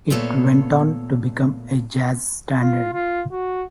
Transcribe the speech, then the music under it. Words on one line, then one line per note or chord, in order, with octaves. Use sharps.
It went on to become a jazz standard.
A#2 A3 B3 A4 C#5 F5
F4
F4
F#4